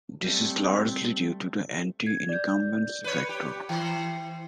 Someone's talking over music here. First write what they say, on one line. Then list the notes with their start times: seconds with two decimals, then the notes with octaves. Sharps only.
This is largely due to the anti-incumbency factor.
0.24 G3 A3 C4
2.06 G#6
2.29 D5 G6
3.04 B4 C#5
3.29 G4
3.69 E3 C5 G5